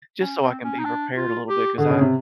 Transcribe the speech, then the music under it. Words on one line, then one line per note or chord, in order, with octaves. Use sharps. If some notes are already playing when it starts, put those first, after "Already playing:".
just so I can be prepared a little bit 'cause I,
C#4
C4
C#4
D#4
D4
F4
G4
D3 G#4
C#3
C3